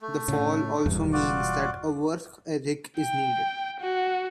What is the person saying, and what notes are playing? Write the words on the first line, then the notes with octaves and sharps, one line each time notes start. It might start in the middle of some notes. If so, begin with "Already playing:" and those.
The Fall also means that a work ethic is needed.
A3
A2 C#3
E1 E2 G2
F4 F#4 D5
G5
F#4